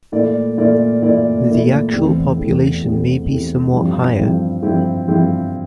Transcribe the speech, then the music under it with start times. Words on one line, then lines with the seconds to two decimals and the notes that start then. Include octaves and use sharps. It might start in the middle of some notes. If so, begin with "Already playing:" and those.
The actual population may be somewhat higher.
0.12 A#2 A3 E4 A#4 D5
0.57 A#2 A3 E4 A#4 D5
1.02 A#2 A3 E4 A#4 D5
1.47 A#2 A3 E4 A#4 D5
1.92 E2 E3 A3 C4 G4
2.37 E2 E3 A3 C4 G4
2.82 E2 E3 A3 C4 G4
3.27 E2 E3 A3 C4 G4
3.72 G2 F3 C4 E4 G4
4.18 G2 F3 C4 E4 G4
4.62 G2 F3 C4 E4 G4
5.07 G2 F3 C4 E4 G4